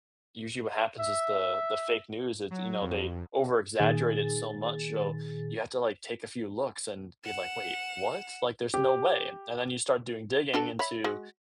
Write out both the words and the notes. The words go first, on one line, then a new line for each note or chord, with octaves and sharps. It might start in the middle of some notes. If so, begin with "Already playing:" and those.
usually what happens is the the fake news, it's you know, they over-exaggerate it so much, you know? You have to, like, take a few looks and be like, "Wait, what? Like, there's no way," and then you start doing digging into
E5
F#3
F2
A#2 D#3 G#4 A6
F#5 E7
G4
D4 F#4 A4
C#5 E5 B5
G#3 F#4